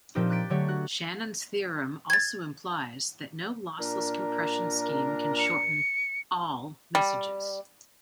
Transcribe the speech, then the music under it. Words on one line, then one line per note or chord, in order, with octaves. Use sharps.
Shannon's theorem also implies that no lossless compression scheme can shorten "all" messages.
A#2 F3 C4 D#4 G4
D6 F#6 G6 A6 B6 D7
D3 F#3 A3 G4 C#5
F#4 F#6
G#6 A6
A#2 D4 A#4
C#7
G3